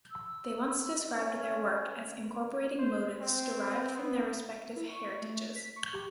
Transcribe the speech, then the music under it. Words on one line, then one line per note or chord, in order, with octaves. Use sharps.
They once described their work as incorporating motifs derived from their respective heritages.
E6
C#4
C5
C4
B3
E4
C#6
A3
B6
C#6
G4